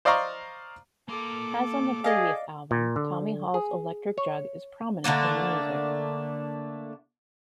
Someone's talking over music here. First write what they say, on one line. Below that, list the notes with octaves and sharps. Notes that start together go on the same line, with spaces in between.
As on the previous album, Tommy Hall's electric jug is prominent in the music.
C5 D5 D#5 F5 A#5 C#6
A#3 A4 C6 D6
G#4 D5 D#5 F5
A#2
D3
G#4
C#5
D3 A3 A#3 D4